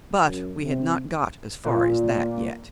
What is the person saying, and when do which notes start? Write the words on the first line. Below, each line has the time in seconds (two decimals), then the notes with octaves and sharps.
But we had not got as far as that yet.
0.25 F#2
0.63 C3
1.64 A#2